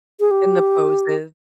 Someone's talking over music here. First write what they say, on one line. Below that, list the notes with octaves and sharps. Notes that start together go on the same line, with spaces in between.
And the poses.
G#4
G4